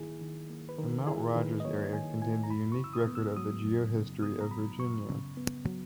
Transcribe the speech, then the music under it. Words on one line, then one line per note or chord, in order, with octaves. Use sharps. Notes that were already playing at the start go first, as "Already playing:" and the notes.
The Mount Rogers area contains a unique record of the geohistory of Virginia.
Already playing: D#3 A#3 E4 G#4
D#3
A#3
B4
D#3 A#4
E4 G#4
D#3 B4
D#5
A#3 C#5
D#3 G#5
E4 G#5
A#5
F#2 B5
C#6
C#3 E6
D#6
B3
E6
F#3 D#6
F#2
C#3
B3 D#6
A#5
F#3 B5
F#2 C#6
C#3
B3
F#3